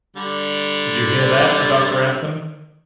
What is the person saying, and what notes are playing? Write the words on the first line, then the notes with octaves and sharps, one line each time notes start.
"Did you hear that?" the doctor asked them.
D3 G3